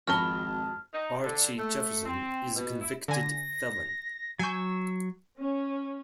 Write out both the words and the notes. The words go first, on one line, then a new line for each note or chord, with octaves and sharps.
Archie Jefferson is a convicted felon.
G#1 F2 F#4 A#4 A5 B5 F6 G7
D#4
D3
A3
C4
B2
E4
D3 G#5 A#6
F#3 G#5 C#6 E6 G6
C#4